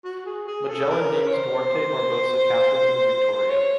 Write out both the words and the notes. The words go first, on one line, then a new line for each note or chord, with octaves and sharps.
Magellan names Duarte Barbosa captain of the “Victoria”.
F#4
G#4
G#4
A4
A#4
C#5
C5
C#5